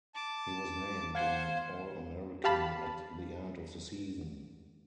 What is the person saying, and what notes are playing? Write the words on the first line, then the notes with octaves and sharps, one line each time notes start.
He was named an All-American at the end of the season.
A5 D6
C5 F5 F#5 G#6
G4 F5 A5 B5